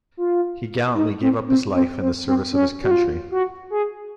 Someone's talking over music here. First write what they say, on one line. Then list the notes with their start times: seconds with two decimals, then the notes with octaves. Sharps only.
He gallantly gave up his life in the service of his country.
0.17 F4
0.95 D#4
1.21 C4
1.48 C4
1.74 C4
2.00 C4
2.26 C4
2.52 C#4
2.83 F#4
2.91 F4
3.31 F#4
3.70 G#4